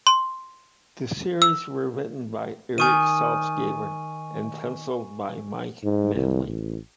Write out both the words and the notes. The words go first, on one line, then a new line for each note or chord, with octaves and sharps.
The series were written by Erik Saltzgaber and pencilled by Mike Manley.
C6
E6
D#3 G#5 C#6 D#7
G#2
C2
A1